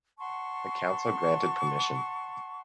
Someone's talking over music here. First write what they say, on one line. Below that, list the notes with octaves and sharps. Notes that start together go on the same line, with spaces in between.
The council granted permission.
F#5 A5 C6 C#6